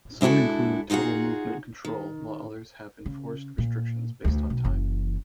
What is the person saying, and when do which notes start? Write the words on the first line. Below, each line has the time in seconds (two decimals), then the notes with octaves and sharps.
Some include total movement control while others have enforced restrictions based on time.
0.21 G#3 D4 E4 F#4 A4
0.90 D#4 F4 F#4 G#4 F#5
1.85 D#3
3.06 C#3
3.58 A#2
4.24 D2 E3
4.50 B1
4.64 F#1 E3